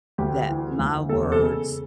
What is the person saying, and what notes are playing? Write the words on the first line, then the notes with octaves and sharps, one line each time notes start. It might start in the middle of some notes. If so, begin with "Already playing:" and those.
that my words
D2 G4
E3
D2
E1 A4
A4
C#3